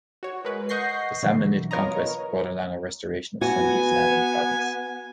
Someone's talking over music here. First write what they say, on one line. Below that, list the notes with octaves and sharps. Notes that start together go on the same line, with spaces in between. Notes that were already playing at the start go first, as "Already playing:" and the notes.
The Samanid conquest brought along a restoration of Sunni Islam in the province.
F#4 C#5
G#3 A#4 B4
D#5 F#5 C#6 G6 A#6 C7
B2 D3 E3 F#3
B3 F4 A#4 C#5 D#5 A#5
B3 F#4 G#5